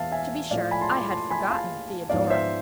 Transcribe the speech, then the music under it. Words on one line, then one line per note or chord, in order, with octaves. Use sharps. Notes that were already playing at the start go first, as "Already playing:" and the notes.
"To be sure; I had forgotten Theodora."
Already playing: E2 E5 F5 A5
E5 G#5
A2 F3 A3 D5 F5
G#5 B5
A5 C6
B5 D6
A5 C6
G#5 B5
F5 A5
G#2 F3 B3 D5 F5
C5 E5